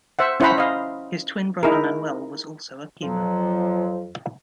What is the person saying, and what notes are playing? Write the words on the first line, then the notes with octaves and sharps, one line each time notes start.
His twin brother Manuel was also a "Puma".
C5 E5 F#5
C#4 E4 C5 F#5 A#5 B5
D#5 F5
D#4 E4 G#4 A#4
F2 F3 F#3